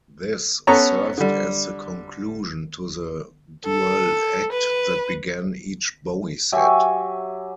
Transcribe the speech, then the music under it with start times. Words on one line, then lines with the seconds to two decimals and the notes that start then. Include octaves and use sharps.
This served as the conclusion to the dual act that began each Bowie set.
0.67 B3 C#4 A4 C#5 A#5
1.18 D3 G3
3.66 A4
4.52 B4
6.52 F#3 G4 E5 G#5